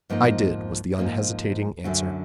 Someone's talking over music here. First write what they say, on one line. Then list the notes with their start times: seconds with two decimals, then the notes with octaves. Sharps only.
"I did," was the unhesitating answer.
0.10 G#2 F3 A#3 D#4
0.98 G#2 F3 A#3 D#4
1.84 F#2 D3 F#3 A3 C#4